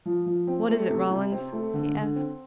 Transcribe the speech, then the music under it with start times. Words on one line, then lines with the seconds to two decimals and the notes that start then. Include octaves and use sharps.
"What is it, Rawlins?" he asked.
0.06 F3
0.26 F3
0.47 C4
0.68 A3
0.89 C3
1.10 C3
1.32 C4
1.52 A3
1.74 D3
1.94 D3
2.15 C4